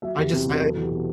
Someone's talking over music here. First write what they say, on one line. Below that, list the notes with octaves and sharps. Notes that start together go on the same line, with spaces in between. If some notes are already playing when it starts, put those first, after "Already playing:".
I just I I
F#3 E5
E2 G4
C3 G4
E2 F#4
F#3 A4
E2
G4
B2